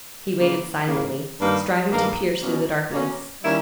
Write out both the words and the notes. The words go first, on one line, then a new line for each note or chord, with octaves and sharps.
He waited silently, striving to pierce through the darkness.
C#3 E3 A#3
C#3 E3 A#3
G2 D#3 A#3
G2 D#3 A#3
B2 A#3 C#4
B2 A#3 C#4
D#3 G3 A#3 C#4 E4